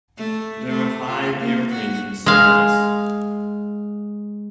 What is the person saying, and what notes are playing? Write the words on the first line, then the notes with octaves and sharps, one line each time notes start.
There are five airplanes in service.
A3
A3
F4
A#3
F#4
G#3 F5